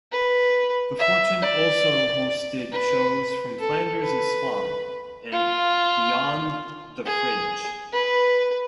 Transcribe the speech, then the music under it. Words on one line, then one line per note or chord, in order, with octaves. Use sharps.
The Fortune also hosted shows from Flanders and Swann and Beyond the Fringe.
B4
E5
D5
B4
A4
B4
F4
G#4
B4